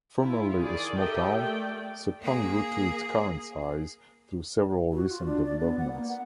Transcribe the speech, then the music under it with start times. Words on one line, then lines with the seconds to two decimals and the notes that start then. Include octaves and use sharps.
Formerly a small town, Sepang grew to its current size through several recent developments.
0.19 E4 F4
0.58 D#3 G#4 D5
0.95 G4 A4 A#4 D#5 E5 G5
1.37 A3 D5 G5
2.20 A#3 G#4
4.92 F#4
5.09 F4
5.26 D4
5.45 D5
5.61 B3
5.78 F#5
5.92 A#3
6.07 F#5